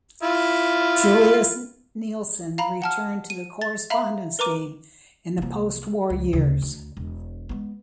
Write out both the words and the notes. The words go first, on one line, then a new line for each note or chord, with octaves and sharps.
Julius Nielsen returned to the correspondence game in the postwar years.
E4 F4
F5 A#5 B5
F#5 A5 F6
D#7
A6
E5 F5 A#5 B5
A#4 B4 A#5 D6 D#7
C2 A#3
C#2
D2 C#3
D2
E1
G#3 B3